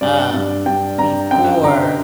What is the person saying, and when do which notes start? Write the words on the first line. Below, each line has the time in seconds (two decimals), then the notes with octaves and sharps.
Um, before
0.01 G2 D5
0.34 G2
0.66 G2 G5
0.98 G2 A#5
1.31 F#2 G5
1.64 D3 A#5